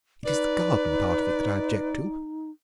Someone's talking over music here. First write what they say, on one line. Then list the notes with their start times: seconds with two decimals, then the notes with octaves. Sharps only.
It is the garden part of it that I object to.
0.25 D#4 B4 D5